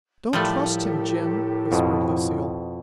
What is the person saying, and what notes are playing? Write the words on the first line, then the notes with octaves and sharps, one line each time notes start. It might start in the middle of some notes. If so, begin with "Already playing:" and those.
"Don't trust him, Jim," whispered Lucille.
A2 F3 G3 A3 G4 A4 A#4
F2 B2